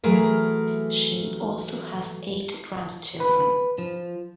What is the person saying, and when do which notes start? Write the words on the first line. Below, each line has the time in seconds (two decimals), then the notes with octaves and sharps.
She also has eight grandchildren.
0.04 E3 F#3 A3 G#4 A#4
3.20 B4
3.78 F3